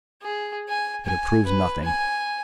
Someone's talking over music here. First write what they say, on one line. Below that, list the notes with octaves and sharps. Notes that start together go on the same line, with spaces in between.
But it proves nothing.
G#4
G#5
G#5
B4
G#5